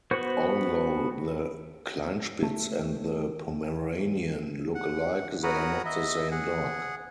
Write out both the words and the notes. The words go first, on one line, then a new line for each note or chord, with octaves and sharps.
Although the Kleinspitz and the Pomeranian look alike, they are not the same dog.
B3 F#4 B4 C5 C#6
A3
F#5
F#4 A#4 C#5 F#5 B5 D#6
D#5 E5
G#4 F#5